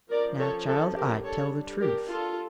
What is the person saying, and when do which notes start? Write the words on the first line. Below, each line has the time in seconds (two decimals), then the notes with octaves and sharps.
Now, child, I tell the truth.
0.10 F3 C#4 A#4 D5
0.39 A4 C#5
0.68 A4 C#5
0.96 G4 A#4
1.24 G3 D4 A4 C#5
1.81 G4 A#4
2.09 F4 A4